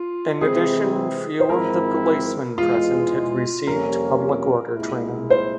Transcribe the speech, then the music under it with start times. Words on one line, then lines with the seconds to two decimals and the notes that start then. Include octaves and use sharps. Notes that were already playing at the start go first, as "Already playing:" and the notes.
In addition, few of the policemen present had received public order training.
Already playing: F4
0.40 C3 E3 G#3 C4 E4 G#4
1.40 C5
1.49 G#1 G#2 F3 C4 E4 A#4
2.58 E2 E3 G#3 F4
3.67 F2 C3 G3 A#3 C#4 A#4
4.75 C2 A#2 G#3 E4
5.30 C5